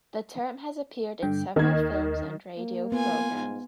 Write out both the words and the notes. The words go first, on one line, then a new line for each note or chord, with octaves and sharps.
The term has appeared in several films and radio programs.
G2 D3 G5
D#2 D#3 G#6
A#3
B3 F4 G#5
G#2